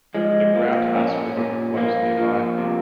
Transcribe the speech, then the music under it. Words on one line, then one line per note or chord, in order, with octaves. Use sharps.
The Groundhouse River flows nearby.
F3 G#3
F3 A#3
A#2 C#4
A#2
F3 A#3
F3
C3